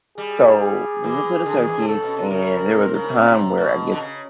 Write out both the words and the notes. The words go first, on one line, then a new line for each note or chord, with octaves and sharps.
So, we went to the circus, and there was a time where, I guess,
G3 G#4
E3
D3
D#3
E3
D3
C#3 A4
B2
C3
C#3 A#4
C3
C#3
C3
B2
D3
C#3